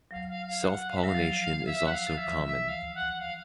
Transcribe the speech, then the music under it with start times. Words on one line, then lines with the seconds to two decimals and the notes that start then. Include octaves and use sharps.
Self-pollination is also common.
0.11 F#3 F5
0.28 F5
0.46 F5
0.63 F#5
0.89 F5
0.97 E5
1.03 F#3 F5
1.15 F3
1.66 E5
1.86 F#5
1.92 F5
2.07 F3
2.17 E3 E5
2.43 E5
2.68 F5
2.95 F#5
3.20 F5